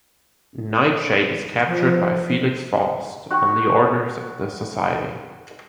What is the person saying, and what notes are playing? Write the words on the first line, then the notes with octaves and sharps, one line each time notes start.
Nightshade is captured by Felix Faust on the orders of the Society.
F3
F#4 F#5 G5 C#6